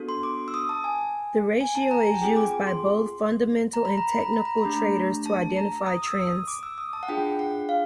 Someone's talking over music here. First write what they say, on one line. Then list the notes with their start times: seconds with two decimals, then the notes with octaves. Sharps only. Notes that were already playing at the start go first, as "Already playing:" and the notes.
The ratio is used by both fundamental and technical traders to identify trends.
Already playing: B3 D4 F#4 A4
0.09 C6
0.23 D6
0.48 E6
0.54 D#6
0.69 A5
0.84 G#5
1.61 G#5
1.75 A5
1.91 A#5
2.07 G#5
2.14 G5
2.21 C4 F4 G#4 G#5
2.36 D6
2.52 D6
2.67 C6
3.73 A#5
3.85 B5
3.98 A#5
4.09 B5
4.22 A#5
4.33 B5
4.45 A#5
4.58 B5
4.65 A3 D4 G4 A#5
5.26 A5
5.56 A#5
5.86 D#6
6.03 D#6
6.07 E6
6.27 D#6
6.48 D6
6.63 E6
6.78 D#6
6.93 A5
7.03 F#5
7.08 D4 F4 G#4 G5
7.39 F#5
7.69 F5